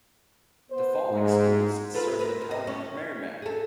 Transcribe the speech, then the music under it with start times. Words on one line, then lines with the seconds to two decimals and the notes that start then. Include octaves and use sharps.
The following schools serve the town of Merrimac.
0.71 B3 C5
1.11 G#2
1.94 F4 A4 B4
2.19 A#4 B4
2.51 D#5
2.67 C#4
3.42 G#4 A4